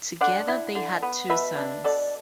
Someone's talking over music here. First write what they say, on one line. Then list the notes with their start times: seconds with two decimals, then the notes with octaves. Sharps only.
Together they had two sons.
0.21 D3 D5 F#5
0.48 E4
0.75 D3
1.02 B3
1.30 B2 B4 E5
1.57 D4
1.84 B2 A4 D5